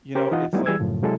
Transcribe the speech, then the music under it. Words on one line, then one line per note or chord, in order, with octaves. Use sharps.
you know, it's, like,
C#4 G4 A#4 C5
E3 D#4 F4 D#5 F#5
F#3 G3 A3 B3 D#4 E4
E3 G3 G#4 E6 G#6
F#2 A2 C#3 F3
C3 F#3 G#3 E4 A4